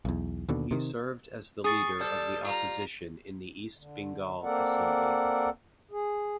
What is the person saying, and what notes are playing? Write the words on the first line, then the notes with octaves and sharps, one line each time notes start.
He served as the leader of the opposition in the East Bengal Assembly.
B1 E2
D#2 B2 D3
C3 D#3
G#4 C#6 D#6 A6 C7
G3 A4
F4 A#5
D3
A#3 C4 A4 A#4 D5 F#5
G#4